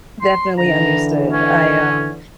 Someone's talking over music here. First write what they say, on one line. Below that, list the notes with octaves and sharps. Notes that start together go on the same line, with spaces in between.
Definitely understood. I, um,
C6
D3 E3 A#5
C#4